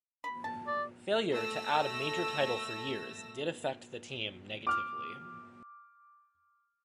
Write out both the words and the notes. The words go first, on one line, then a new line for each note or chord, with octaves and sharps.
Failure to add a major title for years did affect the team negatively.
B5
A5
D5
A3 E6 A#6
D6 F6